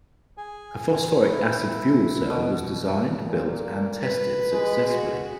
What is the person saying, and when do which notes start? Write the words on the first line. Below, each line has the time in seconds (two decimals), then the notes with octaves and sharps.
A phosphoric acid fuel cell was designed, built, and tested successfully.
0.37 G#4 G#5
1.24 E4
2.30 B2
3.26 A#2
4.01 B4
4.52 G#3
4.90 F#4